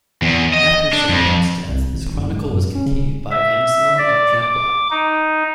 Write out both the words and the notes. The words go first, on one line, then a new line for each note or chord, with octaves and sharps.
After Sigebert's death his chronicle was continued by Anselm of Gembloux.
E2
D#5
D4
F2
C2
G#1
F#1
G#2
F#2
C#4
C#3
E5
D5
D6
D#4